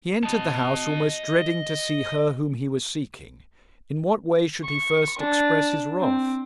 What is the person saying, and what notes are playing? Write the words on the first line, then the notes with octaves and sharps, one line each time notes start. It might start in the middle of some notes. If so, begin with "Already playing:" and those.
He entered the house almost dreading to see her whom he was seeking. In what way should he first express his wrath?
D#5 A5
C#6
D4
C4